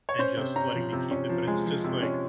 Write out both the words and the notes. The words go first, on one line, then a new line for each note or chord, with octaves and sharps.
and just letting me keep it, but it's just like,
C#5
C#4 C5
C3
C#4 A#5
F3
C3
C#4
F3
G#3
F3
C3
C#4